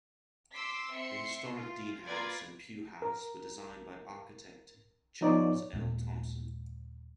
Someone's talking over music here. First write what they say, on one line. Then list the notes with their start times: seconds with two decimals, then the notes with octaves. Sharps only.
The historic Dean House and Pugh House were designed by architect Charles L. Thompson.
0.53 C6 D6 E6 B6 C7
0.93 C4 E5 C6 C#7
1.52 F4
2.06 A#3 F4 A#4 B4 D5 G#6
3.02 A#4
5.21 F3 B3 D#4 C#5 D5
5.73 D#2 A#2 G#3 A#3